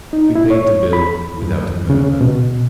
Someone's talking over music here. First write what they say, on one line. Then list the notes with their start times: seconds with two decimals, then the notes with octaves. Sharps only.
We paid the bill without a murmur.
0.13 D#4
0.35 E4
0.50 C#5
0.93 B5
1.42 F#2
1.90 C#3
2.21 B2